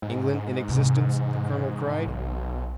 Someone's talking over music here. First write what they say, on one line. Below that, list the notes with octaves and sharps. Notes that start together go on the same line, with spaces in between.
"England in existence?" the colonel cried.
G#2
C3 E3
B1